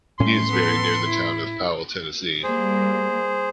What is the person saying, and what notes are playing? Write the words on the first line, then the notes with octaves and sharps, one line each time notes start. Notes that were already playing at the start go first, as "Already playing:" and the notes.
He is buried near the town of Powell, Tennessee.
A2 G3 A3 C#4 C6
B3 A4
E4
G3 A#3 G#4 C5